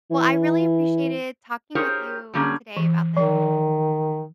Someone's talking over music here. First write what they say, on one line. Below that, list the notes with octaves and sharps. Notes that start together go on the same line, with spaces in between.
Well, I really appreciated talking with you today about this.
E3
F4 G4 G#4 A#4 C5 C#5
D3 F#3 G3 A#3 C#4 G#4
E3
D#3 F3